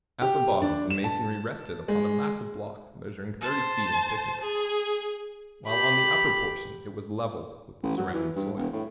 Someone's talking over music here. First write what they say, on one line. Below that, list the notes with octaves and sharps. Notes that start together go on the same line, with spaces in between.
At the bottom the masonry rested upon a massive block measuring thirty feet in thickness, while on the upper portion it was level with the surrounding soil.
G4
D4
E7
A5
G#3
C5 A5
G#4
G4 B5
A1
F#3
E3
G2
E1
A2